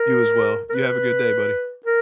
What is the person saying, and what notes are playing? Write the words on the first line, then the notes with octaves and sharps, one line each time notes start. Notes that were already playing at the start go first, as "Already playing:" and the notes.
You as well. You have a good day, buddy.
Already playing: A#4
A#4
B4
A#4